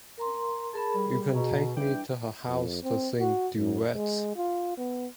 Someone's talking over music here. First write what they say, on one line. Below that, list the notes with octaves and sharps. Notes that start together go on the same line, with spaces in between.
You can take me to her house to sing duets.
A#4 A#5 C6
G#4 A#4 A5 B5
G3
B2 G#4 A#5
E3 G3 D4 G5
F2
C4
F#4
F#2
G#3
F4
B3